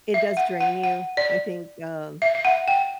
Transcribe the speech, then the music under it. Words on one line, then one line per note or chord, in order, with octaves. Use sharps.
It does drain you, I think, um,
E5
F#5
F#5
F#5
D5
E5
E5
F#5
G5